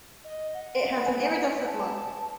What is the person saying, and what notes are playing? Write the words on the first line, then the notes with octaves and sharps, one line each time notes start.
It has an iridescent look.
D#5
F#5
B4 G#5
A5